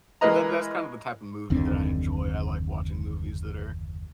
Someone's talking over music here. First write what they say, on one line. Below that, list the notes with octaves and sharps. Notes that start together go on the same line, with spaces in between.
But that that's kind of the type of movie that I enjoy. I like watching movies that are,
E3 G#3 A#3 B4 D#5 A#5
F#1 D#2 D3 C4